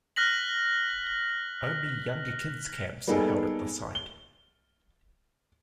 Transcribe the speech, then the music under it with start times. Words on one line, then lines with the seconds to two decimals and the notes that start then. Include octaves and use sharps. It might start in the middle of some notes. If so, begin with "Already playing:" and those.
Only younger kids camps are held at the site.
0.16 F6 F#6 A#6 B6 F#7
3.07 G3 A#3 B3 D#4 G#4 A4
3.95 G7